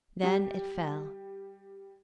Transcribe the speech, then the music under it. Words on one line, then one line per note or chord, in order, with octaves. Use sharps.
Then it fell.
G3 G4